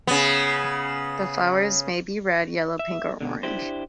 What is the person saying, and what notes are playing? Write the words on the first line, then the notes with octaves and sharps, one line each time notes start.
The flowers may be red, yellow, pink, or orange.
C#3 B3
E5
B2 D3
D4 E4 G4 C5